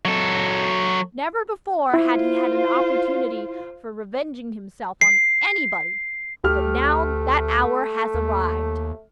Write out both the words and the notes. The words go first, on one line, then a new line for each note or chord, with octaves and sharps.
Never before had he had an opportunity for revenging himself on anybody, but now that hour had arrived.
F#3 A4
E4 F4 C5
C7
D2 A3 G4 F6
D#2